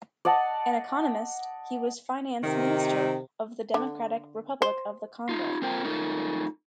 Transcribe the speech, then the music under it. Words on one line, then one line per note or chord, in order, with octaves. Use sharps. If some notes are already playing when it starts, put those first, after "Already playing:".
An economist, he was Finance Minister of the Democratic Republic of the Congo.
D5 D#5 F#5 A5
C3 D#3
D3
C5
D#4 F4
A#3 C4 F4 A#4 C5 G5
A3 D#4 F4 A#4